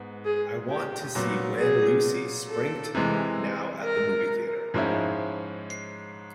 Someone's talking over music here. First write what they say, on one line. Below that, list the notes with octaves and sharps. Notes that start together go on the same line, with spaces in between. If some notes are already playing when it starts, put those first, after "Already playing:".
I want to see Wenn Lucy springt now at a movie theatre.
Already playing: G#2 B3
G#4
G4
A#2 F#3 B3
G#4
A4
C3 E3 G#3
A#4
G#2 F3 G#3 C#4 E4